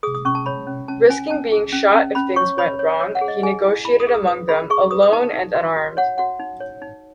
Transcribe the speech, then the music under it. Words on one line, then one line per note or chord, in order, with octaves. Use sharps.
Risking being shot if things went wrong, he negotiated among them, alone and unarmed.
G#4 D#6
D#6
C#4 C#6
A5
C#5 B5
C#4
C#4 A5
C#4 G#5
C#4 A5
G#4
C#4
C#4
C#4 B5
C#5 C#6
C#5 B5
C#5
C#5
F#5
G#4
D#5
G#4 G#5
E4
E4 B5
D#6
G#4
D#6
B4 D#6
G#4 B5
G#4 C#6
B4 D#6
D#6
D#4 A5
D#4
F#4
F#4
C#5 F#5
F#4 F#5
D#4
C#5
D#4